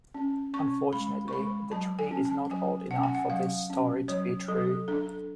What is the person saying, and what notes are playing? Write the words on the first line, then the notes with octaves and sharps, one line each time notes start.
Unfortunately, the tree is not old enough for this story to be true.
C#4
C#4 C#6
G#3 B5
C#6
G#3 B5
F#3 A5
G#5
C#4
A5
F#3 G#5
C#4 F#5
G#5
F#5
F#3 F5
C#4
F#3 C#5
F#3 A4
D4 A4